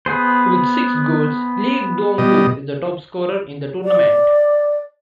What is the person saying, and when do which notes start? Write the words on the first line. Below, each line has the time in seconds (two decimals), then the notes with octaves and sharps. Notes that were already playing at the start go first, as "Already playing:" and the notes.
With six goals, Lee Dong-Gook is the top scorer in the tournament.
0.06 B3 G#4 C5
2.18 B2 G3 D#5
3.84 D5